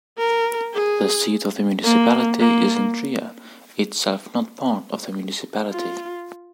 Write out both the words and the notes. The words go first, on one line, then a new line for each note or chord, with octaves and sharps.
The seat of the municipality is in Trier, itself not part of the municipality.
A#4
G#4
A#3
A#3
F4